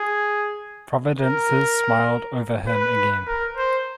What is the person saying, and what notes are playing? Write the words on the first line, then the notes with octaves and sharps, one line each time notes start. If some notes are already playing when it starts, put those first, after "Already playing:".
Providences smiled over him again.
Already playing: G#4
A#4
B4
A#4
C5